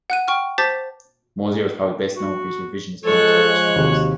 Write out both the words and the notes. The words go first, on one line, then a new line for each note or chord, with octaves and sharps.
Mosier is probably best known for his revisionist military history books.
F#5 F#6 D#7
G5 C#6 F6
C5 A5 D6 G6 A6 B6
F#4
F3 G#3 A4 C#5 F#6
D#2 C3 F#4